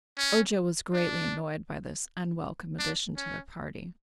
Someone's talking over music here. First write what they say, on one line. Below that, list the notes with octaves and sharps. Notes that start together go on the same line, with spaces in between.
Ojo was greatly annoyed by this unwelcome addition to their party.
C#4
D4
D4
C#4